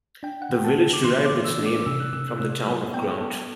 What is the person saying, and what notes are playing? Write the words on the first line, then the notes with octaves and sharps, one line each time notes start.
The village derived its name from the Town of Grant.
D4 G5
F#5
E3 G5
A5
E3
D6
E3 C6
D6
E3
E6
D4
D6
C3 E6
F#6
C3 E6
F#6
C3 E6
F#3
B3 G5
B3 A4